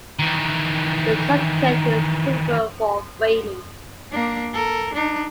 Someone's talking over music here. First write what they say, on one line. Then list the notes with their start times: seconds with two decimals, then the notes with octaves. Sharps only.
The certificate is suitable for framing.
0.19 D#3 E3
4.11 A#3 D4
4.54 A4 A#4
4.94 D4 D#4